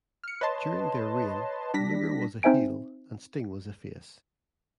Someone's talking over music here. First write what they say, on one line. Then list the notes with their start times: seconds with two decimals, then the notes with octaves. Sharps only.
During their reign, Luger was a heel and Sting was a face.
0.24 F6 C#7
0.41 B4 C#5 D#5 A5 C6
1.74 G3 D4 A#6 B6
2.43 C4 D#4 C5 E5 G#5 D7